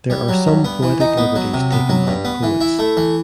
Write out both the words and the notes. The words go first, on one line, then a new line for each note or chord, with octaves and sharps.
There are some poetic liberties taken by the poets.
G3
F#3
G2
B3
E3
D#4
B3
F#3
C3
B3
F#3
G2
B3
E3
E4
A3
E3